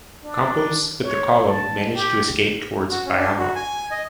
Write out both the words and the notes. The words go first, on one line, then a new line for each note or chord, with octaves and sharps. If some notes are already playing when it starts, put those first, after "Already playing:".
Campos with the column managed to escape towards Bayamo.
D4
C#5
A5
G4
F#4
C#4
D4
F#4
G#5
D#5